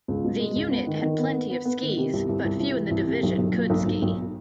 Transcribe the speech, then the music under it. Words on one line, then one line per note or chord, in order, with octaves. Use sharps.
The unit had plenty of skis but few in the division could ski.
C#2
B2
G#3
C#2
B3
D#3
D#3
B3
B3
B3
B3
D#3
C3
C2
C2
C2
C2
E3
C2
C3
B1
B1
A#2
B1
B1
B1